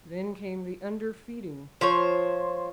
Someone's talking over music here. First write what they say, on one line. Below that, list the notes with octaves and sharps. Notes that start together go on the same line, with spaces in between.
Then came the underfeeding.
F3 C5 C#5